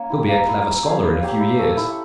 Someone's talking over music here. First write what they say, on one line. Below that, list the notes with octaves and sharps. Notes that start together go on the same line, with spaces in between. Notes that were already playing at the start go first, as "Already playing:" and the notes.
He'll be a clever scholar in a few years.'
Already playing: A#3 C#4 C#5
E4 G4
A#3
E4 G4
E4
G4 C#5 F5
E4
G4 C#5 F5
E4
A4 C#5
E4